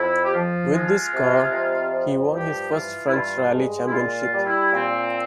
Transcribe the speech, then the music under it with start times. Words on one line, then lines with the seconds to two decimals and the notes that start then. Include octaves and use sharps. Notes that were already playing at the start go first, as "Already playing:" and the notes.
With this car, he won his first French Rallye Championship.
Already playing: F2 E4
0.25 G4
0.34 F3 F4
0.73 G#3
1.14 C3
1.53 F2
1.93 F3
2.34 G2 G4
2.73 E3 F4
3.07 E4
3.12 G2 F4
3.53 G#3
3.88 E4
3.92 A#2 F4
4.20 F4
4.33 G3
4.46 E4
4.73 A#2 C4